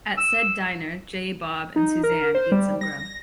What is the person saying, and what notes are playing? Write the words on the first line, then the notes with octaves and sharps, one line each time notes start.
At said diner, Jay, Bob, and Suzanne eat some grub.
E6
D#4
A#4
C5
G3
A#6